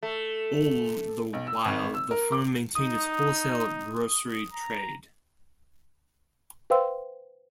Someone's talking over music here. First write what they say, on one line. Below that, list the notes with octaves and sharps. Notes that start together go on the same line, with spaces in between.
All the while the firm maintained its wholesale grocery trade.
A3
B1
E6
G#1
E6
A#4
D6
D#4 D#6
A#5
B4 C5 F5 G5 C6 E6